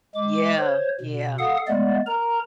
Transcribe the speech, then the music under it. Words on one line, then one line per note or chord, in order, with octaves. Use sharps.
Yeah. Yeah.
G#3 D6
C5 C#5
B2
A4 F5 F#5 D#6
G#3 A3 B3 D5
A#4 A#5